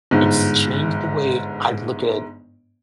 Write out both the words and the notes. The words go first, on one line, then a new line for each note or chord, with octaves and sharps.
it's changed the way I'd look at
G1 G#2